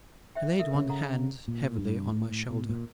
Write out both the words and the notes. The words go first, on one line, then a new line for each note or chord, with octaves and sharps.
He laid one hand heavily on my shoulder.
C5 E5 G5
A4 A#4 E5
C#3
A4 F#5 A#5
A#2
G2
A2
B2
A#2